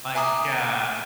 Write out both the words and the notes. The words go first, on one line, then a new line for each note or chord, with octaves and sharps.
like, uh,
E5 G#5 A#5 D6 D#6